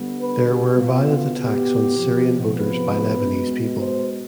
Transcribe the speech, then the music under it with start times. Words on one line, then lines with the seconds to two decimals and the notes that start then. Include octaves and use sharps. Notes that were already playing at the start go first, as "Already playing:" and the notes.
There were violent attacks on Syrian voters by Lebanese people.
Already playing: D3 G3 B3
0.19 B4
0.48 G4
0.78 B2 B3 F4
1.38 G4
1.98 C3 F3 B3
2.58 B4
3.18 B2 G#3 B3
3.78 C5